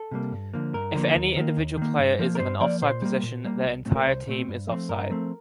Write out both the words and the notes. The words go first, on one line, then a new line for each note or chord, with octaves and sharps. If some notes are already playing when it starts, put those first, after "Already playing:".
If any individual player is in an offside position, their entire team is offside.
Already playing: A4
C3 G3 A#3
G2
D3 F3 A#3
G2 A#4
D3 F3 A#3
D#2
D#3 A#3
D#2
D#3 A#3
G2
F3 A#3
A#4
G2 C5
F3 A#3 D5
A#2 C5
G3 A#3
A#2
G3 A#3
C2
A#2 A3 C4
A#4
C2 C5
A#2 A3 C4
G2
F3 A3 C4
G2 A#4
F3 A3 C4